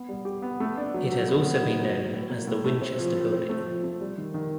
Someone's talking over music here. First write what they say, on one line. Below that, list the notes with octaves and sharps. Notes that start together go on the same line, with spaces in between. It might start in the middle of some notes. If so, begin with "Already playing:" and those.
It has also been known as the Winchester Building.
Already playing: B3
G3
G4
B3
A3
D4
F#3
F#3
B3
B3
D#4
F#3
A2
A2
A#3
A2
A3
C4
F3
F3
C4
A3
F3
A3
G3
D#3
D#3